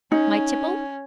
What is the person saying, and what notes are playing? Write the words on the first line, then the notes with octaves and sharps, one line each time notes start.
My tipple.
C#4 D#4